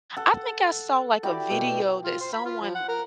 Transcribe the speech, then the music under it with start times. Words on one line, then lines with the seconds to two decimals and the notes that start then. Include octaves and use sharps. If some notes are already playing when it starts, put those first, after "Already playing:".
I think I saw like, a video that someone
0.16 A4 F#5
1.23 E4 F#4 G4 D5
1.50 B2
2.05 F4
2.21 C5
2.33 B5
2.45 F4
2.61 F3
2.75 F#5
2.89 A#4